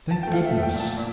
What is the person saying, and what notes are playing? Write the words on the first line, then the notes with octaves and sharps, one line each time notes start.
Thank goodness!
A5
A3 G5
F5
E5
A3
G5
A#2
A5
A#2